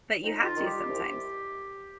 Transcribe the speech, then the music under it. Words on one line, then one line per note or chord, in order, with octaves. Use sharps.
but you have to sometimes.
F2 D#4
F4
D#3 G3
G4
C2